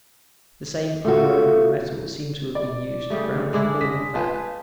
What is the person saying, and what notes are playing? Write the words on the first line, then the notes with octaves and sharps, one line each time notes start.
The same unerodable metal seemed to have been used throughout the whole affair.
A3 F4 F#4
D5
C#3 G3 A3
D3
G#3 D4 E4
D#5 B6
F4 B4 G#5 A5